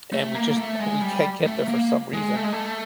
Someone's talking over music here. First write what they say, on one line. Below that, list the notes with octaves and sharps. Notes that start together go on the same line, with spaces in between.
and we just hu we can't get there for some reason.
A3
A#3
A#3
A3
G#3
G3
A3
A#3
G#3
A3
G#3
A3